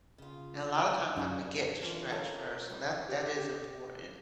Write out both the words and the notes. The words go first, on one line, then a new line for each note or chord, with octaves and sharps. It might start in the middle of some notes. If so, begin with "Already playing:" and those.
and a lotta times I forget to stretch first. So that that is important.
C#3 F4
F#2 A#2 D4 D#4 F#4 F#5
C#4 A4
D3 E3 F4 A4
A#3 C#4 D#4 F4 A4 A#4 F5
G3 C4 D#4
G4
G4